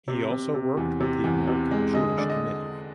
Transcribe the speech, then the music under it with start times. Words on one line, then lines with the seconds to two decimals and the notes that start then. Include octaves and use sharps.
He also worked with the American Jewish Committee.
0.08 C3
0.31 C3
0.54 C3
0.77 E2
1.00 C3
1.24 E2
1.47 C3
1.71 G#3
1.94 D3 D#5
2.18 D3 D5
2.30 D#5